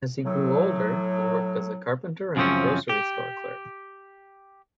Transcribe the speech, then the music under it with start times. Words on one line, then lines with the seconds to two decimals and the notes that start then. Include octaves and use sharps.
As he grew older, he worked as a carpenter and a grocery store clerk.
0.24 A2 F#3
2.36 F#2 C#3 F3 C4 C#4
2.89 G4